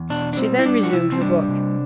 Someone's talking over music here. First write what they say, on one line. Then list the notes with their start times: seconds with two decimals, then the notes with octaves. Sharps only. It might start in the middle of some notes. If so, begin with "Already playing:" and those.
She then resumed her book.
Already playing: E2
0.10 B2 D4
0.33 D4
0.37 G3 C4
0.59 E4
0.65 G3 D4
0.83 F#4
0.93 C3 E4
1.12 C4
1.20 G3 D4
1.48 C3